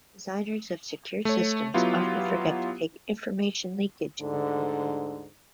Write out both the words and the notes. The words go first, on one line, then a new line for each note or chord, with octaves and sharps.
Designers of secure systems often forget to take information leakage into account.
A3 C#5
F#3 B3 E4 F4 G4
D2 G#2 D3